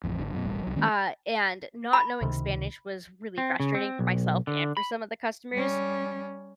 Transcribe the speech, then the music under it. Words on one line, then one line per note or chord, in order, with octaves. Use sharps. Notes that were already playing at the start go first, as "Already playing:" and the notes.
uh, and not knowing Spanish was really frustrating for myself and for some of the customers,
D1 A1 F2
G#1 D3
F#2 B2
E1 A1 G3
C2 F#3
D#3 G#3 A#3 C#4
B5
C#2 C3 D#3
C4
C#3
C4
B1
D3
B5
G3 C#4